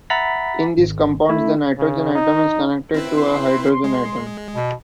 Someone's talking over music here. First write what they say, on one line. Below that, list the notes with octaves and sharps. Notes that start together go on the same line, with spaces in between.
In these compounds the nitrogen atom is connected to a hydrogen atom.
E5 F#5 A#5 B5 A6 B6
G#1
A3 E4
C#3
D#4
C4 E4 B4
C6
G#3
B2